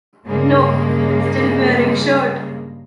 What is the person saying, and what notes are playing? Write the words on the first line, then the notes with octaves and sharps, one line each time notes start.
No, still wearing shirt.
G2 C#3 G#3 A#3